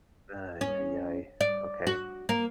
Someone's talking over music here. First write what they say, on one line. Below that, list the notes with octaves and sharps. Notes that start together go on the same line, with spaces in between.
Ay, ay, ay. Okay.
C#4
D5
F#4
A#3